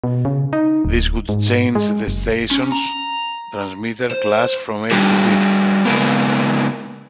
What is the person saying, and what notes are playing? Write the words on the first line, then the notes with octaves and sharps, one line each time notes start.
This would change the station's transmitter class from A to B.
B2
C#3
D#4
D1
G#2
G#3
F#1
C#4
A#5
C5
G3 D4 F#4 G#4
C#3 G#3 A#3 B3